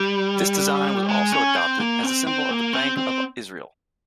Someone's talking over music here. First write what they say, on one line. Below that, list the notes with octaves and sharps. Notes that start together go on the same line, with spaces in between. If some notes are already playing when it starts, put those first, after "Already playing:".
This design was also adopted as the symbol of the Bank of Israel.
Already playing: G3
G#3
C#4
C4
A#3
C4
C4
A#3
C4
C4